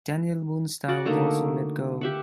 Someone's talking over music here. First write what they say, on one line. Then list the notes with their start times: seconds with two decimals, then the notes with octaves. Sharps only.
Danielle Moonstar was also let go.
0.88 F#4 D5 F#5
1.05 D3 A3 A#3 D#4
2.01 G4 E5 F#5